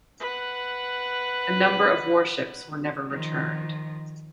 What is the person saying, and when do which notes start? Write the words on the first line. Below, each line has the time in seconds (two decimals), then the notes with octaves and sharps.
A number of warships were never returned.
0.20 B4 F#5
3.10 D#3 F3